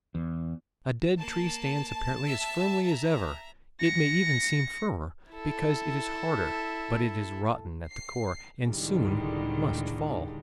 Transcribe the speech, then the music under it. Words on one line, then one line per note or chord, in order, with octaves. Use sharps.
A dead tree stands apparently as firmly as ever--it may even seem firmer because it is harder--but it is rotten at the core, and soon must fall.
E2
A#3 A5
E5 E6
E5 A#5
A#6 C#7
E4 A4
C7
C#2 A2 D3 D#3 G3 G#3